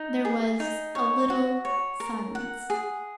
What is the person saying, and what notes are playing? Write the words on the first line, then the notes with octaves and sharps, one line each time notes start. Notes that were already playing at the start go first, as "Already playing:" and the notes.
There was a little silence.
Already playing: D#4
G#4
D#4
C#5
F#4
C#5
A#4
F#5
G#4